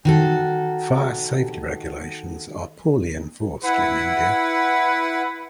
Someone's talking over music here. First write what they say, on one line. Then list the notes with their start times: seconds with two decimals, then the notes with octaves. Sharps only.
Fire safety regulations are poorly enforced in India.
0.05 D#3 F#4 A4
3.64 E4 B4 F#5